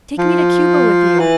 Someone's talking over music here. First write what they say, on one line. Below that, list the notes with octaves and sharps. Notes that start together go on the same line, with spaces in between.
Take me to Cuba with you!
F3
E3